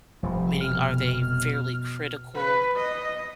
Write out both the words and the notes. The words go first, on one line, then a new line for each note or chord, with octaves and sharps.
Meaning, are they fairly critical
F1 C3 F3 G3
B2 F6
B4
D#5